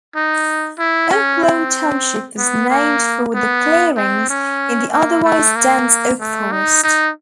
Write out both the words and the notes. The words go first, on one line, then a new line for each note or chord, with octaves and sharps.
Oak Lawn Township was named for the clearings in the otherwise dense oak forest.
D#4
E4
C#4
C4
B3
A#3
B3
C4
C#4
A#3
A3
A#3
A3
D#4
D#4